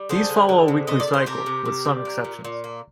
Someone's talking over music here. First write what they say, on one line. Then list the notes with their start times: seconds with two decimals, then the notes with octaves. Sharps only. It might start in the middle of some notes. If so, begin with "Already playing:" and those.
These follow a weekly cycle, with some exceptions.
Already playing: G3
0.09 D3 G#4 C5
0.29 D3
0.49 D3
0.68 C3
0.87 C3 D#5
1.00 D5
1.07 D#3
1.14 C5
1.26 C3 G4 A#4
1.46 C3
1.65 C3
1.85 G3
2.05 A#3
2.25 A#2
2.44 A#2
2.64 A#3